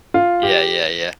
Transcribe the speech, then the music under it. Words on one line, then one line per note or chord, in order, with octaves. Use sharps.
Yeah, yeah, yeah.
F4
G4